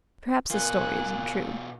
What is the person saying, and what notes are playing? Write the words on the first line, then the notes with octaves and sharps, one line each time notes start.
Perhaps the story isn't true.
B2 F4 A#4 G#5 F#6